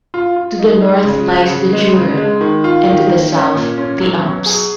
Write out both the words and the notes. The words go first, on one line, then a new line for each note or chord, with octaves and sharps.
To the north lies the Jura and to the south the Alps.
F4
F4
D#4
G#3
C#3
F#4
C#3
G#3
C#3
G#3
D#3
F4
D#3
A#3
C#4
A#2
C#4
F#3
B2
G#4